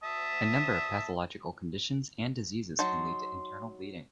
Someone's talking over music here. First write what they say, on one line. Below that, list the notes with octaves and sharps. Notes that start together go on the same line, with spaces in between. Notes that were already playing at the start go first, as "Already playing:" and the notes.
A number of pathological conditions and diseases can lead to internal bleeding.
E5 A5 D#6
F#3 D#4 A5 C6